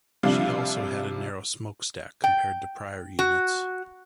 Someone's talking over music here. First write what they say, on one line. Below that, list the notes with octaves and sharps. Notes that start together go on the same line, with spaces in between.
She also had a narrow smokestack compared to prior units.
C2 C3 F3 G3 D4 F5
G5
F#4